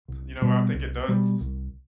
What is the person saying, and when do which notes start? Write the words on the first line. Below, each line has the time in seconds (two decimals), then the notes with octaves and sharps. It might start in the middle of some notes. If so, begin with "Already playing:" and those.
you know, I think it does s
0.08 C2
0.42 B2 G3
0.74 C2
1.08 B2 G3
1.41 C2